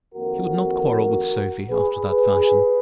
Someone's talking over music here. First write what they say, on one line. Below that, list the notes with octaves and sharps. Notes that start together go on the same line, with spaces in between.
She would not quarrel with Sophie after that fashion.
F2 D#3 A#3 F#4 A#4
G#4 B4
G#4 B4